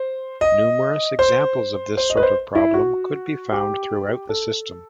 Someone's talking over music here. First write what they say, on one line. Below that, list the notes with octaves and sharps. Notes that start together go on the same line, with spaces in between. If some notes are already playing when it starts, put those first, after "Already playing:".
Numerous examples of this sort of problem could be found throughout the system.
Already playing: C5
D#5
C5
C5
D#5
B4
C5
E4
F#4
G4
A4